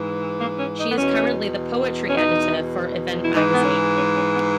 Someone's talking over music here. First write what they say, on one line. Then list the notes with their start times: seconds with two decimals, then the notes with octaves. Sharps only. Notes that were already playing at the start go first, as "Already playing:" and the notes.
She is currently the Poetry Editor for Event Magazine.
Already playing: G#2 E3
0.39 A#3
0.58 C#4
0.78 D#4
0.89 B3
0.97 E2 B2 C#4
2.09 C#4
2.16 D#4
3.23 E4
3.34 G#2 E3 D#4
3.53 B3
3.63 C#4
3.94 C#4
4.14 C#4
4.32 B3